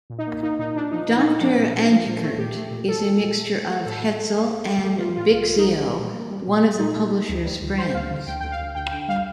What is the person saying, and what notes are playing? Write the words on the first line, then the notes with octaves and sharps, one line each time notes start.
Doctor Antekirtt is a mixture of Hetzel and Bixio, one of the publisher's friends.
A#2
D#4
A#3
A#3 D#4
A#2 D#4
A#2 D4
F3 D#4
A#2
D#4
A#2
D#4
F3 D4
A#2
A#2
F3
A#2
A3
A#2 G4
A3
A#2
A#2 A4
A#2
A#2
A3
A3
A3
A2 A4
A3
A3
A3
A3
A3
A3 G4
A3 F4
A2 F4
C2 F4
C2
D#4
G3
G3
A#2
A#3
G3
A#2
A#3
A#2 D#4
A#2
A#3
D2
G3
D2
G3 C5
D2 F5
D3
D2 G5
D2 G5
F5
D2
D2 G5
D3 G5
G3 F5